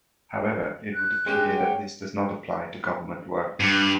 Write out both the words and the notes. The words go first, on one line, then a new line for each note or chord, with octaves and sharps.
However, it would appear that this does not apply to government works.
F#6
G#3 C#4 G4
C#5 F#5 G5
G2